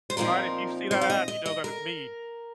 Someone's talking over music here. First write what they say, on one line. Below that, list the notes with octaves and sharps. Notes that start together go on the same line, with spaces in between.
Alright, if you see that app, you know that it's me.
C5
A#2 F3 C4 D#4 A#4
C5
F5
D#5
D#5
D#5
A#4